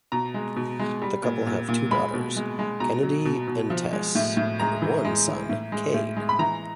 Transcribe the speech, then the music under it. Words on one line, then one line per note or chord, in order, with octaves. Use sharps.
The couple have two daughters, Kennedie and Tess, and one son, Kade.
B2 A#5
G#3
B2
G#3
G3
A#2
A#2
A#2
G#3 B5
B2
G#3
G#3
B2 A#5
F#3
B2
B2
F3
G#3
A2
A2
G#3 A#5
E3
G#3
E3
A2
G#3
A2
G#3
B5
E3 A#5